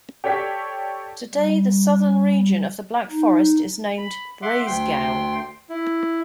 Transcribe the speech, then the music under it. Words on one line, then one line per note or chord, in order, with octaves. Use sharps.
Today the southern region of the Black Forest is named Breisgau.
G4 A4 C#5 D5 B6
G3
D#4
B5
E5 F#5 C6 D6
D2 G5 C6
E4